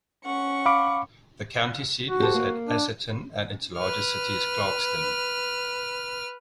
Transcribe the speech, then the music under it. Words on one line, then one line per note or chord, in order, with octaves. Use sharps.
The county seat is at Asotin, and its largest city is Clarkston.
C#4 F#5 C#6
F5 B5 D6
F#4
G4 A4 C5
A#3
D4
B4 F6